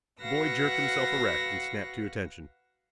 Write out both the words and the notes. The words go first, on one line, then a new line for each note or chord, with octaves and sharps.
The boy jerked himself erect and snapped to attention.
F#4 B4 F5 F#5 E6 A#6